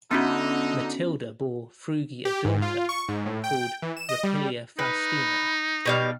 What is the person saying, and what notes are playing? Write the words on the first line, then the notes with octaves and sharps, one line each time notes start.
Matidia bore Frugi a daughter called Rupilia Faustina.
D3 B3 C#4 D#4 F#4
G4
G#2
F4
C#6
G#2
A2
G5
E3
E7
D#5
G3
D#4 B4
B2 G3 F5